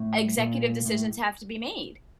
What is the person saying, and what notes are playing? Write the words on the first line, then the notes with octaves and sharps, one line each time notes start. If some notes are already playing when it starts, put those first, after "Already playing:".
executive decisions have to be made,
Already playing: A2
A#2
A2